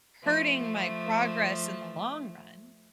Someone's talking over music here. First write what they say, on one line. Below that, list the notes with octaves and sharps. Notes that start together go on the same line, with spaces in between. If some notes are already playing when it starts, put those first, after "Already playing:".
hurting my progress in the long run?
F3 A3